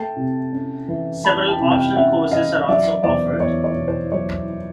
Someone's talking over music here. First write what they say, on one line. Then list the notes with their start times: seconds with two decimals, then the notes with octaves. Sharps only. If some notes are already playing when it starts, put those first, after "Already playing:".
Several optional courses are also offered.
Already playing: A3 G5 A5
0.16 C3
0.53 C#4
0.88 E3
1.24 A3 A5 B5
1.48 G5 A5
1.61 C3
1.72 F5 G5
1.96 C#4 E5 F#5
2.32 E3 D#5 F5
2.68 F#3 D5 E5
3.04 E2 C5 D5
3.40 E2 C#5
3.64 C#5
3.76 B2
3.88 C5
4.12 F#3 C#5